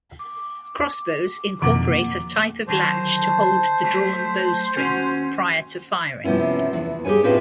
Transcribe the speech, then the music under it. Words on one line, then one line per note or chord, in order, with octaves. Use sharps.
Crossbows incorporate a type of latch to hold the drawn bowstring prior to firing.
D6
F2 B2 D#3 A#3 F#5 D6
D3 D#3 F#3 C5 A5
F#3 A3
D#2 C#4 F#4
C3 F3 B3 C#4 E4
E2
G4 G#4 B4 C#5 G#5
A2 C4 C#4 E4 F4 B4